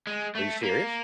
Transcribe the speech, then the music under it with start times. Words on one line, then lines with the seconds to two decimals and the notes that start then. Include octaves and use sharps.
Are you serious?
0.07 G#3
0.35 A3
0.63 A#3